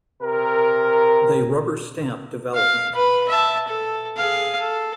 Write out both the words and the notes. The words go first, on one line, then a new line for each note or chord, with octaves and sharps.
They rubber-stamp development.
C3 A#4
F5
B4 B5
E5 A5
A4
G#4 F5
A4